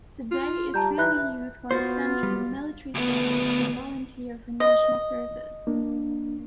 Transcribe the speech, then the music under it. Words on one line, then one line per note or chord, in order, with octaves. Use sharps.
Today, Israeli youth who are exempt from military service can volunteer for national service.
F4
G3 A5 A#5 G6
E3 E5 B5 F#6
B3 F4 F#4 C5
G3
D2 B3
D#5
A#3 D4